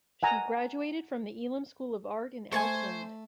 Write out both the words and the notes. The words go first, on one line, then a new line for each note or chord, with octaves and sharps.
She graduated from the Elam School of Art in Auckland.
F#5 G#5 A#5
A3 C5 G#5 A5 C#6